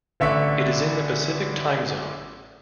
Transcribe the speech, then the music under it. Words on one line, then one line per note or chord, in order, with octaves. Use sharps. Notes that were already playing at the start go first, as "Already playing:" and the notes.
It is in the Pacific time zone.
A1 D3 E5 C#6 B6